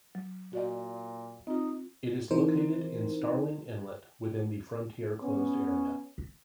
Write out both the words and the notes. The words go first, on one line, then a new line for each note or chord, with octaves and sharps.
It is located in Starling Inlet, within the Frontier Closed Area.
F#3
A#2 F#4 D5 D#5
C4 D#4 F4
E3 C4 D#4 A#4 C5
B3 C#4